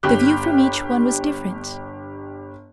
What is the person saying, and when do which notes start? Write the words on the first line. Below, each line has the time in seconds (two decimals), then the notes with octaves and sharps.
The view from each one was different.
0.03 G1 G4 F#6